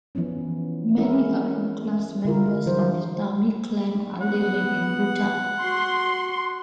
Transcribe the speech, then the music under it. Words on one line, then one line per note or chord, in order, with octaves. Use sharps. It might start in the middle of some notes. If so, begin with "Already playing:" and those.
Many upper class members of Thami clan are living in Bhutan.
E3 F3 B3 C#4
G#3 B3 C#4 E4 A#4 E5
D3 E4 F4 A#4
E3 F#3 G3 C5
B3 F#5
F#4 C6